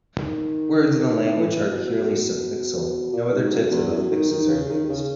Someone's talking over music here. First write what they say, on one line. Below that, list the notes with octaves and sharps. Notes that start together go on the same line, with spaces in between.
Words in the language are purely suffixal; no other types of affixes are used.
D#3
E3
B2
A#2
G#2
F#2
E2
F#2
D#3
D#3
C#3
D#3
D#3
C#3